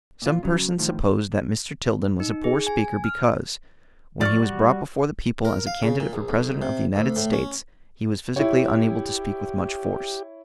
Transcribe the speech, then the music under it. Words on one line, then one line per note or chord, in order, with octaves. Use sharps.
Some persons supposed that Mr. Tilden was a poor speaker because, when he was brought before the people as a candidate for President of the United States, he was physically unable to speak with much force.
A#2 F4
C#3 F#3
A2 D#3 F3
D#4
G#4
G#5
F6
F3 D5 C#6 F6
G3 F#4
A#4
F5
C#3
A#2
A#1
B1
C3
D2
A2
C#4
E4 G4 C#5